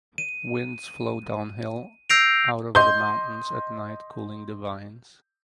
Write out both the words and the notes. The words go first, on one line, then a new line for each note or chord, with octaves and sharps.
Winds flow downhill out of the mountains at night cooling the vines.
D#7
E6 G6 A#6 C7 D7 F7
D#5 C6 G6